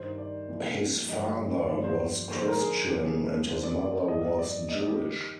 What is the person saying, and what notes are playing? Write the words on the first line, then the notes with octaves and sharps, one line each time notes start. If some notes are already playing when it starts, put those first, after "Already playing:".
His father was Christian and his mother was Jewish.
Already playing: G2 D#3 C5
D5
C2 A#2 F3
G2 D3 F3 D#5
G2 F3 D5
C5
D#2 D3 F3 C5
C5
A#4
G#4
C2 C3 F3 G4
G#4
D#2 D#3 C5
D5
D5
G2 D#5
F3
D5
D#2 D#3 D#5
D#5
G4